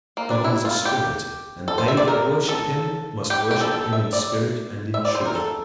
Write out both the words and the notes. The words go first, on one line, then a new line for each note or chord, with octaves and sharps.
God is a spirit, and they that worship him must worship him in spirit and in truth.
A#3
D4
E4
F4
G4
A4
C5
E5
D5
A#4
A4
G4
G4
A4
A4
E5
D5
E5
D5
C5
A#4
A4